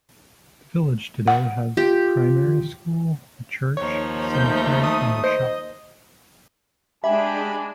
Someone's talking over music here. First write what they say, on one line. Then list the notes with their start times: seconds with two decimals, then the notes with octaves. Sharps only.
The village today has a primary school, a church, a cemetery, and a shop.
1.28 F#5
1.77 F4 G4
3.77 D#2 F3 D#4 C#5
4.34 A3 G6
4.84 D#6
5.24 C5 D#5
7.04 G#3 D4 G4 E5 G#5 B5